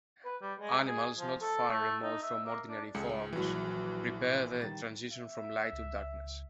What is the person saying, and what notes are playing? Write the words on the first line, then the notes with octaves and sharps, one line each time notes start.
Animals not far remote from ordinary forms, prepare the transition from light to darkness.
B4
G3
G#3
G#4
F3
A4
A3
D#4
E5
A#3
D4
C#2 G#3 A4 C#7
A#1 E3 F#3 F#4
D#3 G3 A6
E5
C#2